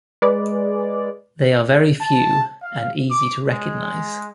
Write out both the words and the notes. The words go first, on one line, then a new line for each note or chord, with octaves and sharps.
They are very few, and easy to recognize.
G#3 B4 D5
A5
F5
D6
G#3